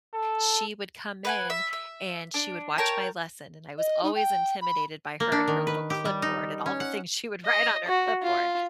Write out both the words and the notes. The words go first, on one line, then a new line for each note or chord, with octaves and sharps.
she would come in and she would watch my lesson, and I was always intimidated by her and her little clipboard and all the things she would write on her clipboard.
A4
B4 F#5 G#5
E5
E5
D4
A#4 C#5 G5 A5
D#5
D#4
G5
B5
A#3
D4
D#3
B4
G4
G3
D#4
C#4
F#5
D#5
F#4
F4